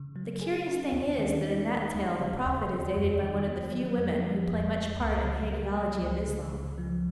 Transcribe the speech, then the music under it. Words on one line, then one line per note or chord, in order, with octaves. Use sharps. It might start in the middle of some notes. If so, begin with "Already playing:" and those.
The curious thing is that in that tale the prophet is aided by one of the few women who play much part in the hagiology of Islam.
Already playing: C#3
F#3
G#4
C#4
D#2
D#3
D#4
G#3
D#2
C#3
D#2
G#3
F2
D#3
B3
F#3
F2
F3
F2
A#3
C#2
C#3
A#3
F#3
C#2
C#3
C#2
F3